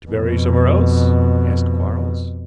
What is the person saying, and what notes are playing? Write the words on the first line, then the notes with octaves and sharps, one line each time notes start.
"To bury somewhere else?" asked Quarles.
F2 B2